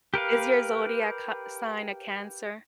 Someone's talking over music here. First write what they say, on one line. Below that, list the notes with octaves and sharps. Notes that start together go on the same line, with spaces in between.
Is your zodiac h sign a Cancer?
G4 A#4 B4 F5